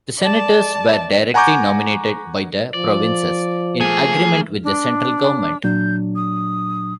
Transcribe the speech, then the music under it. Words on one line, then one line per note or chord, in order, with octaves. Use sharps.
The senators were directly nominated by the provinces in agreement with the central government.
D5 A5
F#5 G#5 A#5 C#6 D6 G6
F3 D5
A3 A#3 G#4
D4
A#2 F#3 D4 G6
D#6